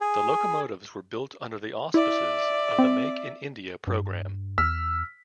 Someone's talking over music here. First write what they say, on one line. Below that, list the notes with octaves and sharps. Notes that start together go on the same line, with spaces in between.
The locomotives were built under the auspices of the Make in India program.
G#4
E4 D5 E5
C4
G2
E2 E6 F6 B6